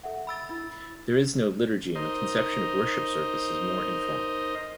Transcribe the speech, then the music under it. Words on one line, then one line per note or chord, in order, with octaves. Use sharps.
There is no liturgy and the conception of worship service is more informal.
A4 E5 F#5
B5 E6 A6
D4 E4
D#4 A#4 C5 D#5